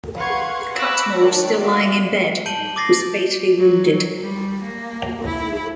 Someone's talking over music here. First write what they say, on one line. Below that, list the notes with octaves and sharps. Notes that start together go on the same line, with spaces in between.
Cutmore, still lying in bed, was fatally wounded.
B4 F5 F#5 C6 C#6 G#6
B5 C#6 D6 E6 F#6 A#6
D#3 D4 C#5 D5
F#4 D5 E5 F5
A5 G6 D7 D#7 F#7 G7
D6 D#6 A6 A#6 C7
F#3
G3
A#3
E4